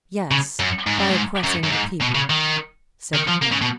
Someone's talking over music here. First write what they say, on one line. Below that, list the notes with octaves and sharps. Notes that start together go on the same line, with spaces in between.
"Yes, by oppressing the people," said the queen.
C#3
F#2
G#2
F#2
G#2
F#2
F#2
G#2
B2
C#3
D#3
D#3
F3
A#3
C#3
B2